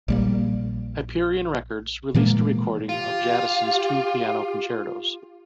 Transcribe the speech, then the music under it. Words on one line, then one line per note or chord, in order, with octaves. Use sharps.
Hyperion Records released a recording of Jadassohn's two piano concertos.
A#1 G3 A#3
A#2 E3 G#3 A#3
F4 G4